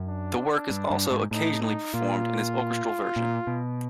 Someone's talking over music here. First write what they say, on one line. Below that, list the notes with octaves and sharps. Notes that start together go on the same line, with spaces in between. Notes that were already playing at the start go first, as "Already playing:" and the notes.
The work is also occasionally performed in its orchestral version.
Already playing: F#2
D4
G2
G2
G#2
A2 D#4
D#4
A#2 F4
A#2
B2